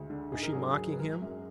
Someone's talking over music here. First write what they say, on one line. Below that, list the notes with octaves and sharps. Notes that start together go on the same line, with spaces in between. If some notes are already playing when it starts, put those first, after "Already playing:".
Was she mocking him?
Already playing: D2 G#3
D3
G#2 G#4
A#4
F#3 G#4
A#4
F#3 G#4
B4
G#3 A#4
F#2